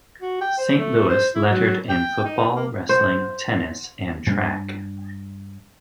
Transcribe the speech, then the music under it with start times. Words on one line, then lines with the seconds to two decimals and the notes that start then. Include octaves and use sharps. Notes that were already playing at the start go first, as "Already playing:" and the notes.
St.Louis lettered in football, wrestling, tennis, and track.
0.22 F#4
0.41 G5
0.58 C5
0.78 A3
1.09 C5
1.35 E4
1.49 F#3
1.89 G5
2.25 D#4
2.56 A#3
2.89 C5
4.26 G2 G3 D4